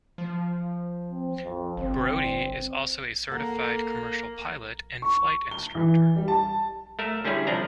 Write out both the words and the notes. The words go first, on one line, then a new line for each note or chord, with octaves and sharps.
Brody is also a certified commercial pilot and flight instructor.
F3
C4
F2
G1 C4
A#3 A4 F#5
C#6
G7
E3
G3
A5
A3 A#4 E5
D3 G3 C#4 E4 G#4
C2 F3 D4 A#5